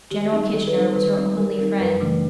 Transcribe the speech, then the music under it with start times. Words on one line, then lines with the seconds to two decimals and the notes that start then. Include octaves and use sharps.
General Kitchener was her only friend.
0.11 D#3 G4
0.32 G3 C4 D#4 G#4
0.53 D#3 A4
0.67 B4
0.74 G3 C4 D#4
0.82 C5
0.95 D#3 B4
1.16 G3 C4 D#4
1.37 D#3 A#4
1.58 G3 C4 D#4 A#4
1.79 F#2 B4
2.00 C#3 E3 A3 D4